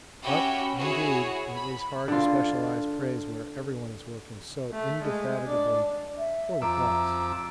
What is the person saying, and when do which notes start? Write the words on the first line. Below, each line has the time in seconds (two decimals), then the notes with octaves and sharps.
But, indeed, it is hard to specialise praise where everyone is working so indefatigably for the cause.
0.23 C#4 F#4 G4 E5 G5 B5
0.78 E4 F#4 G#4 C#5
1.56 B5
2.08 D3 F4
4.72 A3
5.04 G#3
5.46 D4
6.17 E5
6.62 F2 A#5 D6 E6